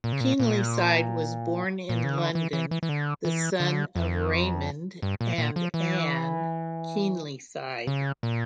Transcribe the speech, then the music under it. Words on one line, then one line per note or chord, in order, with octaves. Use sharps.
Keenlyside was born in London, the son of Raymond and Ann Keenlyside.
A#2
C#3
A#2
A#2
A#2
C#3
D3
E3
E3
E3
E3
D3
E3
D3
F2
G2
A#2
A#2
F3
E3
C#3
A#2